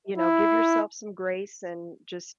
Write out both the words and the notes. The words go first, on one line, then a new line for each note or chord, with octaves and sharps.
you know, give yourself some grace and just
E4